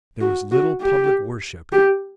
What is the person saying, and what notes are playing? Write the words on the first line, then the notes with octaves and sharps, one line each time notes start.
There was little public worship.
F#4
F#4
G4
G4